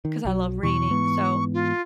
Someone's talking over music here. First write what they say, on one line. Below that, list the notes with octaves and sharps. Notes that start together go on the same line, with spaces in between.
'cause I love reading, so
D#3
B1 F#3
E2 B2 E3 C#6
G#2 E3 B3
F4